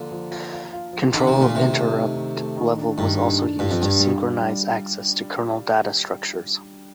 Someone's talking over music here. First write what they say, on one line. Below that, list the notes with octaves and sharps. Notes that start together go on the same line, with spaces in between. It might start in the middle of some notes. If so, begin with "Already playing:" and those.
Control of interrupt level was also used to synchronize access to kernel data structures.
Already playing: D3 F3 A#3 F4
F3
F4
F4
F4
F3
D3 D#3
C3
A3
A#2
C3 D#3
A3
D#3
D#3
A3
D#3
D4
G2 D#3
D#3
D4
G2 F4
F2
G2 D4
G3
D4
G3